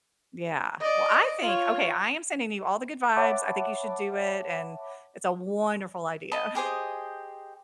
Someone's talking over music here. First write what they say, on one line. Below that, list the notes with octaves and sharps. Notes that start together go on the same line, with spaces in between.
Yeah, well, I think okay, I am sending you all the good vibes, I think you should do it, and it's a wonderful idea.
D5 D#5
F4 C#5
C#5 E5 F#5 A5 B5 D6
D#5 A5 B5
G4 G#4 C5 D#5